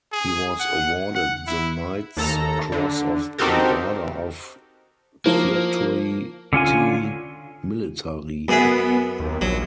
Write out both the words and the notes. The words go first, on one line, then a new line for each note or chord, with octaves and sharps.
He was awarded the Knight's Cross of the Order of Virtuti Militari.
G#4
F#5
F#5
E4
D#2 A4 A#5
D3
C4 D#4 F#4 G4 A4 A#4
F3 A#3
D3 C#4 F4 G#5
F#2 B3 G#4 E5
D#2
A#1 F#3